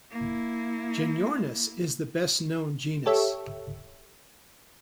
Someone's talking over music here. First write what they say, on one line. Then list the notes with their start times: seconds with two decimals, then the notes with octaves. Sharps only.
"Genyornis" is the best known genus.
0.11 A#3 E4
3.06 G4 A4 C#5 E5